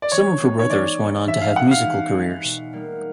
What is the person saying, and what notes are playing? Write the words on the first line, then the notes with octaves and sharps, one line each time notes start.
Some of her brothers went on to have musical careers.
D5
E3 C#5
G#3 B3 D#4
C#5
E3 D5
G#3 B3 D#4
E3 E5
F5
G#3 B3 D#4 F#5
F5
E3
G#3 B3 D#4
B2
G3 A#3 D#4